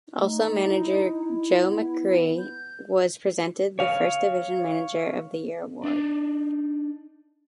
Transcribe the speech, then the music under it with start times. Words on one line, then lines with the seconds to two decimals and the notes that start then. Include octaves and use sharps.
Also manager Joe McAree was presented the First Division Manager of the Year award.
0.17 A3 D#4
0.63 E4
1.61 B3
2.38 G6
3.79 C#5 F5
5.84 D4 D#4 D5 D#5